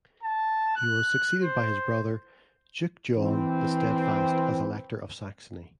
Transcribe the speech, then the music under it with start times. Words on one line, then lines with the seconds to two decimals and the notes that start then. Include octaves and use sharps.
He was succeeded by his brother Duke John "the Steadfast" as Elector of Saxony.
0.23 A5
0.76 F#6
1.43 C5
3.17 E3 C4